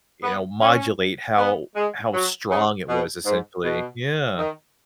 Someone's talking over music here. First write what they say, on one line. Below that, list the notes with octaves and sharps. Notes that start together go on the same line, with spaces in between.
you know, modulate how how strong it was essentially. Yeah.
B3
C#4
B3
G#3
F#3
C#3
B2
G#2
B2
D#3